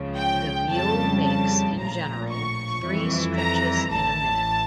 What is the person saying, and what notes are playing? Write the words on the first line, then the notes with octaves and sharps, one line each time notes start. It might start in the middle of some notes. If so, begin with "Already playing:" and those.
The mule makes in general three stretches in a minute.
Already playing: C#2 C#3 F3
G5
F2 C#3 G3 A5
A5
A#1 A2 F3 A#5
C#6
F2 E3 G3
A#5
A1 A2 E3 A5